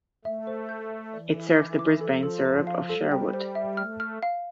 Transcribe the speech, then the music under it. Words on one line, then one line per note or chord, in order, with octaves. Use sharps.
It serves the Brisbane suburb of Sherwood.
A3 E5
C5
G6
A5
E3 D5
A4
D6
D6
F3 A4
A4
C5
F5
G3 A4
G5
C5
E5
A3 F6
F6
F5